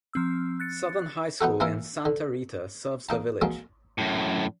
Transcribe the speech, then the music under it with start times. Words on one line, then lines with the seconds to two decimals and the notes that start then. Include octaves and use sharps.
Southern High School in Santa Rita serves the village.
0.13 F3 C4 E6
0.60 F#6 A6 C#7
1.41 B3 D#4 F#4 A4
1.60 E3 A#3 E4 A#4
2.05 D3
3.09 A#3 D#4 A5
3.41 F3 F#3 G#3 A#3
3.98 F#2 A2